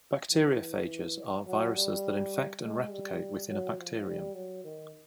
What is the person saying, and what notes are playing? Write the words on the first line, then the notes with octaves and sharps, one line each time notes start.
Bacteriophages are viruses that infect and replicate within a bacterium.
E3
F#3
G3
G#3
G3
F#3
F3
G3
F#3
D#3